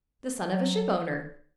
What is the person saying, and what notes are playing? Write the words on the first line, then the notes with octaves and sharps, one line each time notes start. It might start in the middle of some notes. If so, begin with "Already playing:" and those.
"The son of a shipowner."
F#3